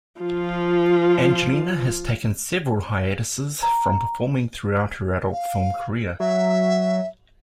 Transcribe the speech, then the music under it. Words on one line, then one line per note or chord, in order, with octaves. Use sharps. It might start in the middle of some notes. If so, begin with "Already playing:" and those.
Angelina has taken several hiatuses from performing throughout her adult film career.
F3 F4
A#5
F5
F#3 E5